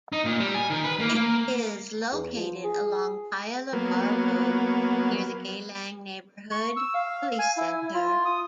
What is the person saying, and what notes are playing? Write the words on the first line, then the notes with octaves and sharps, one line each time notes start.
It is located along Paya Lebar Road, near the Geylang Neighbourhood Police Centre.
D#4
A#2
G3
G#5
D#3
B4
A#3
A#3
E2
F3
G#4
F#3 A#3 B3
C#6
E6
F5
G#5
E4
F4
D#6